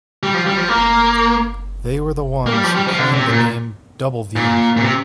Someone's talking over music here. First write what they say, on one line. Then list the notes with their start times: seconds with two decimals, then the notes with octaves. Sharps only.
They were the ones who coined the name 'Doubleview.
0.23 G3
0.34 F3
0.46 G3
0.57 F3
0.69 A#3
2.47 A#3
2.53 G3
2.64 F3
2.75 G3
2.87 F3
2.98 D3
3.14 C3
3.29 A#2
4.36 A#2
4.77 A#2
4.82 C3